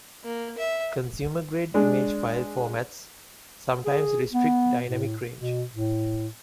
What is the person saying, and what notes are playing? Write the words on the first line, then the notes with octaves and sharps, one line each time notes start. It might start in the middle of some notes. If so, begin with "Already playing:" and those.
Consumer-grade image file formats sometimes restrict dynamic range.
A#3
E5
G#3 D4
G#4
B3
A2
B2
A2